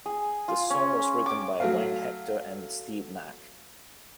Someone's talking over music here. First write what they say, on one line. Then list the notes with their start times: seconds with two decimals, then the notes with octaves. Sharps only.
The song was written by Wayne Hector and Steve Mac.
0.06 G#4
0.48 F4
0.70 C#4
1.26 D6
1.60 F#3 A3 F5